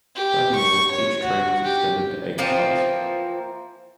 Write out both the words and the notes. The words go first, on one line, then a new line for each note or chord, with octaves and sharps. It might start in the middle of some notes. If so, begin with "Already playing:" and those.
Furthermore, each train was extended to eight cars.
G4
C#6
C#5
F#4
G4
E3 F3 A#3 C4